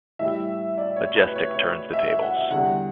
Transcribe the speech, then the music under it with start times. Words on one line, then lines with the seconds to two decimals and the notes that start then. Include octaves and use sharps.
Majestyk turns the tables.
0.19 A2 E3 G3 E5
0.78 D5
0.96 C#5
1.16 B4
1.36 C#5
1.54 C#5
1.93 E5
2.08 E5
2.22 F#5
2.36 E5
2.51 E2 D3 G3 F#5